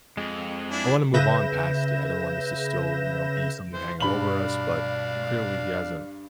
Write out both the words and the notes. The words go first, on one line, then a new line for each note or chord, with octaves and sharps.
I wanna move on past it; I don't want this to still, you know, be something hanging over us, but clearly, he hasn't,
F2 G#3
D4 E4 G#4
C#3 B4 E5 G6 A#6 E7
E3 C5
G2 B2 D4 F5 B5 F#7